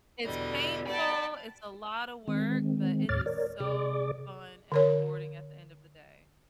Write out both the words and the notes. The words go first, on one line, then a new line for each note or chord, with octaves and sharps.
it's painful, it's a lotta work, but it is so fun and rewarding at the end of the day.
E2 B2 D3 G3 D#5
D5 F#5 G5 A5 B5
D#3 G#3 C4
D#2 A2 C#5 D6 F6 A6
A#4 C#5 D5
C3 G#4 D5 D6
D3 A#4 C#5